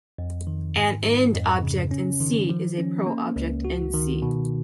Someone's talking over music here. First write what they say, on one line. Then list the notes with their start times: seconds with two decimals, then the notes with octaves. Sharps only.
An ind-object in "C" is a pro-object in "C".
0.18 F2
0.47 D#3
0.76 G#2
1.05 G#2
1.34 F2
1.62 C#3
1.91 C#4
2.21 D#3
2.50 F3
2.78 C#4
3.06 A#3
3.36 C#2
3.65 F#4
3.94 D#3
4.22 B2